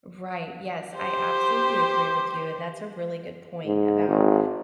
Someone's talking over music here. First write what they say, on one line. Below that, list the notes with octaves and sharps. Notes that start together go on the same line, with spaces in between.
Right, yes, I absolutely agree with you, and that's a really good point about,
G4 C5
G#2
G#1